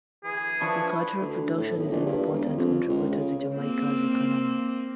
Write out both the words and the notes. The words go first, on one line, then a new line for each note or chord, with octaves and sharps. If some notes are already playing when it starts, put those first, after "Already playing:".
Agricultural production is an important contributor to Jamaica's economy.
D2 E3 G#4 B4
F3 D4 E4 B4 A5 C#6
D2
A2
B1
A#1
G2
E1
F2
C#2
C#3
A#3 C4